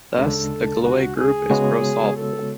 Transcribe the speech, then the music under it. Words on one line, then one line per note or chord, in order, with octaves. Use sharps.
Thus, the Galois group is prosolvable.
D2 C#3 G#3 D4 A4
F#4
G#4
C#3 G#3 B3 F#4 C#5
A4